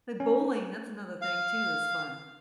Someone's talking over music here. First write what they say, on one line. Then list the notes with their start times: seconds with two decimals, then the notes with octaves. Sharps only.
Like bowling, that's another thing too that's fun
0.20 C#4
1.22 F5